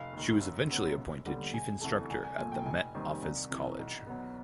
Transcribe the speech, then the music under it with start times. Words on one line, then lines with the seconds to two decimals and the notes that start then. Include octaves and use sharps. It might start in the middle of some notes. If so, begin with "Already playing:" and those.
She was eventually appointed chief instructor at the Met Office college.
Already playing: F1 F5
0.13 D#2 D#3
0.41 F#2
0.69 C#3 F#3 B3
0.97 F1
1.26 D#2 D3 G3 B3
1.54 E1 G#5
1.81 D2 C3 E3 A3 A5
2.10 C2 G#5
2.24 G#5
2.38 A#2 F3 A3 G#5
2.52 G5
2.66 F1 G#5
2.95 D#2 D#3 G3 C4
3.22 C2
3.51 C3 E3
3.79 B1
4.07 B2 F#3 B3